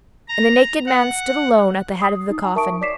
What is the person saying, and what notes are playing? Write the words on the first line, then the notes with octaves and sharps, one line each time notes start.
And the naked man stood alone at the head of the coffin.
A#5
F#5
D#6 C7
D#4
G#5 A#5
A#4 E5 A5 C#6 D#6 D7
C#5 D5 D6 B6 C7 E7